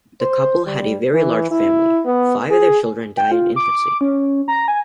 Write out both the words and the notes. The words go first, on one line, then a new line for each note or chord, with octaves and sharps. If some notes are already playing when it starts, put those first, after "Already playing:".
The couple had a very large family; five of their children died in infancy.
C5
G3
E3
E4
B3
G#4
G5
F4
D6
C#4
A#5
G#5